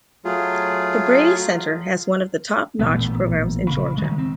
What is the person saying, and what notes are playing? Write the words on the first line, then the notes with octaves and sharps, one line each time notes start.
The Brady Center has one of the top-notch programs in Georgia.
F#3 A3 F4 G#4
A1 A#2 A3 B3
C#3
D#3 G#3
C4